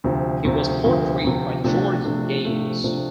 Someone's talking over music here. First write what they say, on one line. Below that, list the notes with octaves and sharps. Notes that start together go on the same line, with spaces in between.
He was portrayed by George Gaynes.
D2 C3 F3
D2 C3 F3
D2 C3 F3
D2 C3 F3
C3 F3 A3 D4
C3 F3 A3 D4
C3 F3 A3 D4
C3 F3 A3 D4